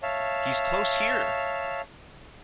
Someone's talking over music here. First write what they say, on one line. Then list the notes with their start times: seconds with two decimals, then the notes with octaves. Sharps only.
He's close here!
0.03 C#5 E5 F5 A5